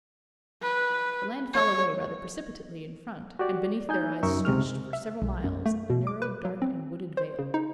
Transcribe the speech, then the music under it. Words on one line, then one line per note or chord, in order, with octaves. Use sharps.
The land fell away rather precipitately in front, and beneath their eyes stretched, for several miles, a narrow, dark, and wooded vale.
B4
C#5
F#4 G4 D5
D#4 G#5 G6
C#2 F#2 D#4 A#4 E5 C#6
C#2 C3 G#3 F6
E5
B1
F#2
A3
B2
D6
B4
F#3
C4
C5
C#3
D#4